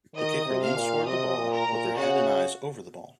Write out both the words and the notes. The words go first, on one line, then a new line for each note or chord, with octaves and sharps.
The kicker leans toward the ball, with their head and eyes over the ball.
D#3 D#5 D#6
C3
F5 F6
A#2
C3 D#5 D#6
A#2
A#4 A#5
A#2
C#3 F#4 F#5